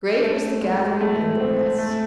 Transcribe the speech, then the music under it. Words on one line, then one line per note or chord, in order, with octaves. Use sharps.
Great was the gathering and the press.
A3
G#3
A3
C4
A3